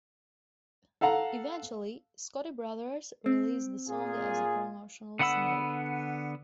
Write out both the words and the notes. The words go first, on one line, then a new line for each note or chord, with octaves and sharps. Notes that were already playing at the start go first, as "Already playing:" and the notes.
Eventually, Scotti Brothers released the song as a promotional single.
A4 F5 F#5 A#5
C4
A#2 F4 G#4
D3 B3 F#5 B5 E6